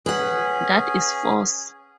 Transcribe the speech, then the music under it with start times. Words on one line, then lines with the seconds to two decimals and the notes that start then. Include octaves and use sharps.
That is force.
0.06 C#4 G#4 B4 F#5